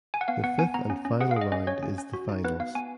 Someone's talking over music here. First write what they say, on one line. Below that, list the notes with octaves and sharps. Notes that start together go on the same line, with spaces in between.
The fifth and final round is the finals.
G#5
F#5
B3 F5
B3 F#5
B3 G#5
B3 A#5
C#4
C#4
G#4 F#5
F5
G#4
D#5
C#4 D#5
C#4 C#5
C#4
C#4
F#4
D#4
B3 B4
B3 F5
B3 G#5